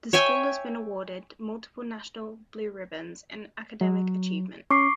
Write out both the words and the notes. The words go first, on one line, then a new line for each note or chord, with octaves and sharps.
The school has been awarded multiple national blue ribbons in academic achievement.
C#5 E5 G5 G#5
F#3
C#4 C#6 D6 C7